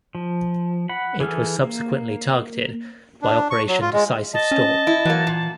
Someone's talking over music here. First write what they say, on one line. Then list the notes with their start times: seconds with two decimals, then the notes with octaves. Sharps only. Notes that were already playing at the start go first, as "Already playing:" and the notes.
It was subsequently targeted by Operation Decisive Storm.
0.15 F3
0.89 F#5 B5
1.20 E3 G#4 A4 F6
1.64 A#3
3.22 D4
3.51 C#6
3.68 F#3
3.81 F4
3.93 G#3
4.33 D#5 A5
4.51 C#4
4.87 E4
5.05 E3 F#3 A#3
5.27 A#2